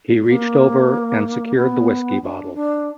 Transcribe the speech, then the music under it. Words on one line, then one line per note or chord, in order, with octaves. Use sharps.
He reached over and secured the whiskey bottle.
A#3
B3
D4
D4